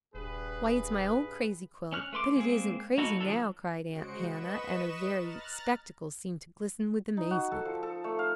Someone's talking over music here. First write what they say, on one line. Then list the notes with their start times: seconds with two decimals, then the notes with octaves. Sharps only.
"Why, it's my old crazy quilt, but it isn't crazy now!" cried Aunt Hannah, and her very spectacles seemed to glisten with amazement.
0.15 D#1 G2 G#4 B4
1.92 C#4 F6 F#6
2.13 A3 B4 C6 D6
2.36 G#3 A#3 C4 G#4
2.98 A#3 D#4 F#4 A4 B4
3.21 D#3 F3 F#3 D4 A4
3.87 C#3 G#3 F#4 C5 C#7 D7
4.23 B4 D#5 B5 C#6 E7
5.16 A#5 F6 F#6 A6
7.17 D#4
7.31 F#4
7.52 A4
7.65 F3
7.83 A4
8.04 A3
8.19 F5